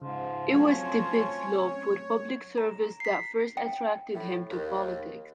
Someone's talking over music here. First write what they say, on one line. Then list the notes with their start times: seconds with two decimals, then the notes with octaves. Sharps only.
It was Tibbetts' love for public service that first attracted him to politics.
0.02 G#2 C#3 F3
0.54 F#3 A3 C4 C#4 C#5
2.58 A#5
3.00 B6 C7
3.57 G5
4.15 A2
4.50 D#2